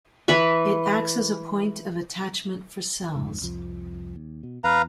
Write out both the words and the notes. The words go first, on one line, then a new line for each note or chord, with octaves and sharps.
It acts as a point of attachment for cells.
E3 B4 B5 C#6
D#1 F2 G#2
C2 F2 F3
D#2
B2
E2 B4 F5 A#5